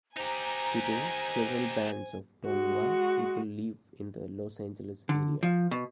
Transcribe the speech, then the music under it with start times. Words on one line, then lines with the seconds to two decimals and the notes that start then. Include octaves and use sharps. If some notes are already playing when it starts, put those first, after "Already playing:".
Today, several bands of Tongva people live in the Los Angeles area.
0.17 D#4 G4 C5 G#5 A#5
2.45 G#3 F#4
5.09 D3
5.43 F3
5.71 B2